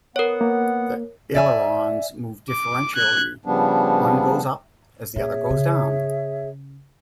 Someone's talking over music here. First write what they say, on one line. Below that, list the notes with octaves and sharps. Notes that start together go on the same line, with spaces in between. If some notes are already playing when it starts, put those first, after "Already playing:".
The ailerons move differentially - one goes up as the other goes down.
B3 A#4 C#5 F#5
A#3
D5 E5 G#5
D6
F#6 G#6
C#3 F3 G3 B3 D4
A#2 G#4 C#5 E5
C#3